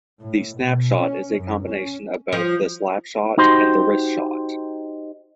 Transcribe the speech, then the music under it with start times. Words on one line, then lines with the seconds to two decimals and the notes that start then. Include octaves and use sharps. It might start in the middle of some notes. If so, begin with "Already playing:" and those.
The snap shot is a combination of both the slap-shot and the wrist shot.
0.23 A2
0.61 B2
1.01 C#4
1.39 F#2
1.69 C#4
2.33 F3
3.38 D#4 F#4 G4 C5 C6